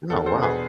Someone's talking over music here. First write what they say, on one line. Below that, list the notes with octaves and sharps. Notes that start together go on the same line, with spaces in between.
Oh, wow.
E2 A4
A4 C5
B2 B3 D4
G#4 B4